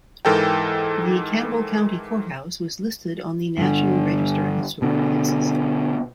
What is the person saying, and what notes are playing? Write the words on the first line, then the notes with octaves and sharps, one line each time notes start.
The Campbell County Courthouse was listed on the National Register of Historic Places.
G#2 E3 A4 A#4 G5
G2 D3
B2 D3